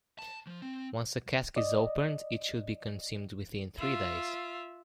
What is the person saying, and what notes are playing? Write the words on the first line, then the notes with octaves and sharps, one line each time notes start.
Once a cask is opened, it should be consumed within three days.
A5
F3
C4
D5 D#5
F4 E5